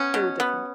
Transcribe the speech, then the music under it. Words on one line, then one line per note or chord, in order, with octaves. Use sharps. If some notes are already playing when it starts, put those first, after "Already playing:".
They were different.
Already playing: B3 C#4
B2
B3